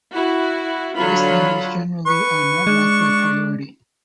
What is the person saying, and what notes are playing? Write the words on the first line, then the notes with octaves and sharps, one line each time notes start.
List members generally are not ranked by priority.
E4 F#4
D3 F#3 F4 B5
B4 C#6
G#3 D4